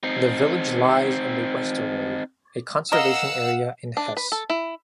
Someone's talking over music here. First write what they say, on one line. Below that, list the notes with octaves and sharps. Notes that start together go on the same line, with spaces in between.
The village lies in the Westerwald, a conservation area in Hesse.
C4 D#4
A#4 D#5 F5 F#5 E6
D4
B4
A4
E4